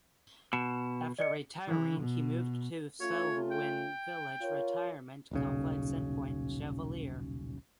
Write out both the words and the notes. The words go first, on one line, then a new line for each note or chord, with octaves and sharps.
After retiring he moved to the Selwyn Village retirement complex in Point Chevalier.
B2 E7
D5 D#5 C#7
E3
B2
A3 C#4 F4 C#5
G5
F4 A#4 C#5
D#1 B1 C#3